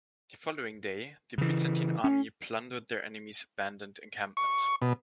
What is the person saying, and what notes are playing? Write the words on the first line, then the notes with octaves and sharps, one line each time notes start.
The following day the Byzantine army plundered their enemy's abandoned encampment.
C#3 E3
C#4
C#6
B2